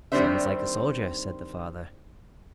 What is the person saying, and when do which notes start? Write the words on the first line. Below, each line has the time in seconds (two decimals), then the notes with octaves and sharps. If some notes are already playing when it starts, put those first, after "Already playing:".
"Sounds like a soldier," said the father.
0.12 D#3 G3 C4 D4 C5 E5